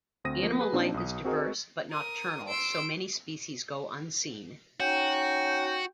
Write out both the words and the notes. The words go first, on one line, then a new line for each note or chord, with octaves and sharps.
Animal life is diverse but nocturnal, so many species go unseen.
D2 C4 D#6 A#6 D#7
F3 A#3
G#4 B4
A#2 F3 C4 D4 D#4
B1 D#6
C4 F#4 G#4 A#4 D#5
A#4 D#6
C6 E6 D7
C#4 D#4 F#4 G5